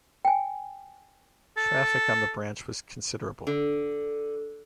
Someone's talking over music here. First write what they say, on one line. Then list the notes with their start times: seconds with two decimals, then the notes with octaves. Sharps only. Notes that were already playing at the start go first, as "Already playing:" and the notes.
Traffic on the branch was considerable.
0.25 G5 G#5
1.57 A4
3.47 D3